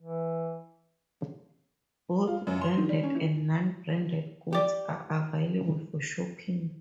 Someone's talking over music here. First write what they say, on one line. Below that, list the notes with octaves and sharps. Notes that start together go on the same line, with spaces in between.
Both branded and non-branded goods are available for shopping.
E3
F4
F#2
C6
D#3
G3
C#4
E3
G4 D5